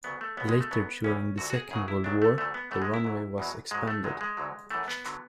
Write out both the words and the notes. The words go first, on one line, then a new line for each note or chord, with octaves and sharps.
Later during the second World War, the runway was expanded.
D2 C#3 F#3 B3
A3
C#2 B2 F#3 B3
G#3
A3
E2 B2 F#3 B3
E2 C#3 E3 C#4
D2 D3 F#3 F#4
F#4
G#4
F#2 C#3 F#3 G#4
E4
C#2 C#3 F#3 D4
A3
D2 D3 F#3 A3
B3
F#2 E3 A3
G#3
E4
G#2 F#3
E2 B2 F#3
G#2 F#3 G#3
A3
E2 C#3 F#3 G#3
G#3
D2 D3 F#3
F#2 E3 A3
B3
D3 F#3